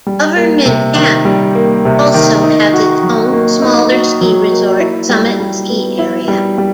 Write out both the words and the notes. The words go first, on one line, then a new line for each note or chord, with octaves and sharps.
Government Camp also has its own, smaller ski resort, Summit Ski Area.
G3
A#3
C3
D#3
G3
A#3
C3
D#3
D#4
F#4
F#3
A#3
D#4
F#4
F#3
A#3
E4
G3
G3
B3
E4
G3
G3